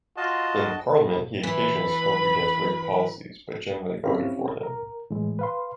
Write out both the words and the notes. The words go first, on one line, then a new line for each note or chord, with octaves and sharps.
In parliament he occasionally spoke against Whig policies, but generally voted for them.
F4 F#4 D#5 A5
E3 B4 B5
C4 C#4 E4 G4 C#5 F5
A#4
A2 E3 G#3
B4 F5 C6